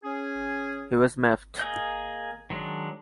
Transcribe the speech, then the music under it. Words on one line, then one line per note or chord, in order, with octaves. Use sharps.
He was miffed.
C#4 G#4
A#3 G#4 D#5 G6
D#3 F#3 G#3 D4